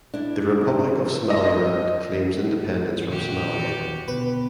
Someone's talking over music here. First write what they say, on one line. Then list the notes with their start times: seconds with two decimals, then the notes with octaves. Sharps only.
The Republic of Somaliland claims independence from Somalia.
0.14 D4 E4
1.30 D#5
3.09 A#2 D#3 F#4 G4
4.08 B2 D3 B3 B4